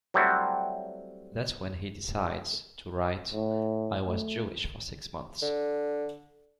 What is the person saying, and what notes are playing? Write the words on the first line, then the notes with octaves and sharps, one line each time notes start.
That's when he decides to write, "I Was Jewish for Six Months".
F#3 G3 A3 C4 E4 F#4
A2
A3
D3